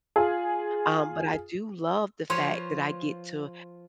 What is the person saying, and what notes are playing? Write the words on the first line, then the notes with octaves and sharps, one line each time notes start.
Um, but I do love the fact that I get to
F4 G#4
F3 B4 C#5 C6